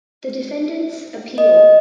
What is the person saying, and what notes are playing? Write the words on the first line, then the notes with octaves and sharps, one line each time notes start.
The defendants appeal.
D#5